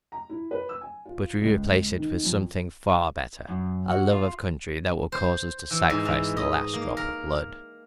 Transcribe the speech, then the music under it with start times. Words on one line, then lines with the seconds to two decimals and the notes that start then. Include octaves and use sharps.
"But we replace it with something far better--a love of country that will cause us to sacrifice the last drop of blood."
0.12 A#5
0.29 E4
0.51 B4
0.69 E6
0.81 G#5
1.05 F4
1.41 C#2
1.97 D#3
2.23 F2
3.49 F#2
3.89 F#4
4.11 F4
5.12 C5
5.70 E3
5.90 G#2
6.05 E3
6.37 D#5
6.73 A#3
6.97 A#4